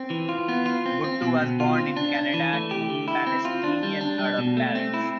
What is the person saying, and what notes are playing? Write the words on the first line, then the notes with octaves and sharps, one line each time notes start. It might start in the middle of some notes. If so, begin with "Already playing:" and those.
Buttu was born in Canada to Palestinian Arab parents.
Already playing: C4
E3
F4
B3
F4
C4
C4
B2
B2
F4
C4
D4
D4
E3
A3
G4
D3
E4
C4
F4
D4
G3
D4
G3
B2
A3
C4
E4